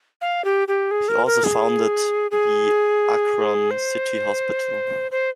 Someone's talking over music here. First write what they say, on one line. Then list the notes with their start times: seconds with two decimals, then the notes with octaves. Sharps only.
He also founded the Akron City Hospital.
0.21 F5
0.44 G4
0.68 G4
0.91 G#4
1.08 A#4
1.26 A#4
1.44 G#4
2.31 G#4
3.71 C5
5.11 C5